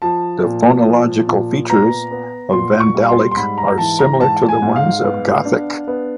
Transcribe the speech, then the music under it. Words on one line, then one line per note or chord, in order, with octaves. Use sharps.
The phonological features of Vandalic are similar to the ones of Gothic.
F3 A5
A#2
F3
A#2
B3 A#5
B3
A#2 C6
C#6
G3
C6
C6
G#2 B5
A#5
E3 A5
A#5
G#2 A5
G#5
G#2
F5
B3
D4
B3